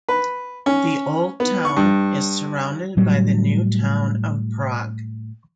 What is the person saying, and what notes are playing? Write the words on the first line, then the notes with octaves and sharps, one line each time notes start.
The Old Town is surrounded by the New Town of Prague.
B4
C#4
B3
C#6
G2
A2 F#3 G3